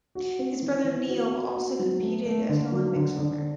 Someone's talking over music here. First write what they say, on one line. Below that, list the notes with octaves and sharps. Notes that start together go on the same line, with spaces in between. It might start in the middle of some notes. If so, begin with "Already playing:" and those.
His brother Neil also competed as an Olympic swimmer.
F#4
C4
E3
E3
F#4
F#4
F#4
F#3
A3
A3
D3
F#3
D3
D3